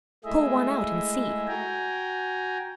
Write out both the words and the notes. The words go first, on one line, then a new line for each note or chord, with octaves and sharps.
"Pull one out and see!"
G#3 A3 E4 G#4 D#5 E5
F#4 G5 G#5 A#5